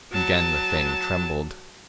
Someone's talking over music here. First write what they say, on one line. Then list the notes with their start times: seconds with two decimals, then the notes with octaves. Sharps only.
Again the Thing trembled.
0.13 F#3 A5